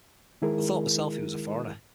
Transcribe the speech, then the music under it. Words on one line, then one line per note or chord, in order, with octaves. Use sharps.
I thought myself he was a foreigner.
D#3 G#3 E4 G#4 A#4